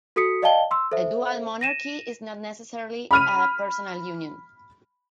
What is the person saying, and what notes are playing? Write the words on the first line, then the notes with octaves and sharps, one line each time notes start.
A dual monarchy is not necessarily a personal union.
F#4 A4 D#6 B6 C#7
D5 D#5 F5 G5 A5 G7
C6 E6
A4 C5 E5
A#6 D#7 E7
B5 F6 D#7